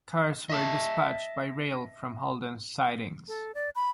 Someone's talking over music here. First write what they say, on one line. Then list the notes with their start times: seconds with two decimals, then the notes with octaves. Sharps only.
Cars were dispatched by rail from Holdens' sidings.
0.50 D#5 E5 A5
3.28 A4
3.55 D5
3.75 B5